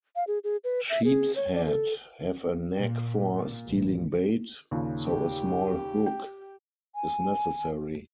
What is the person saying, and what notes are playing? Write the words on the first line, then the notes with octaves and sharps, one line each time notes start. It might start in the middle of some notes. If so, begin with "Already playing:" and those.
Sheepshead have a knack for stealing bait, so a small hook is necessary.
F5
G#4
G#4
B4
E5
G#4
C#5
D5
A4
A#2
A#2
A1
D#2 A#2 C#3
G4
G5
G#5